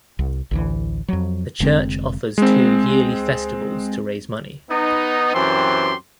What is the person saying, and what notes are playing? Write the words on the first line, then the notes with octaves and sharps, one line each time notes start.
The church offers two yearly festivals to raise money.
C2
A1 D2 E3
F2 F#3
F1 D3 G#3 C4
G#3 C4
B3 D#4
F#2 E3 C4 G4 C6